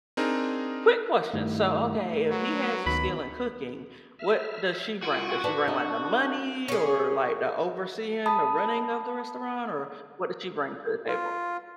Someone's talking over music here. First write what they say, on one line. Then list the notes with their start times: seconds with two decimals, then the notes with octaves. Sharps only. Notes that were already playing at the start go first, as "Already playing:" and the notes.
Quick question. So, okay, if he has a skill in cooking, what does she bring? Does she bring, like, the money or, like, the overseeing the running of the restaurant, or what does she bring to the table?
0.17 C4 D4 D#4 G#4 A#4
1.34 G2 D#3 A3 E4
2.30 F#3 F#4 B4
2.86 D2 D#3 B3 B5
4.19 E5 F6
5.03 F4 F#4 G5 G#5
5.44 B4 D5 A5
5.68 D4 D#5
6.68 C#4 G#4
8.26 A5 B5 D#6
11.08 F4